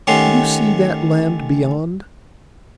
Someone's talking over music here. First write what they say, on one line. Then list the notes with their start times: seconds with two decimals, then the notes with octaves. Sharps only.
Do you see that land beyond?'
0.07 D#3 A3 C#4 G4 F#5 C6